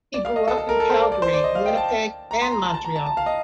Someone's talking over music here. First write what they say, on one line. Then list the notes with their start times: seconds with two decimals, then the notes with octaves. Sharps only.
He grew up in Calgary, Winnipeg, and Montreal.
0.14 D5
0.25 F5
0.36 D#5
0.48 A4
0.58 A4
0.69 A#4
0.80 A4
0.90 C5
1.01 D5
1.12 D5
1.22 C5
1.34 D5
1.44 D#5
1.55 F5
1.66 G5
1.77 A5
2.31 A#5
2.42 C6
2.52 A#5
2.63 A5
2.74 A5
2.85 A#5
2.96 A5
3.06 A5
3.17 F5
3.26 D#5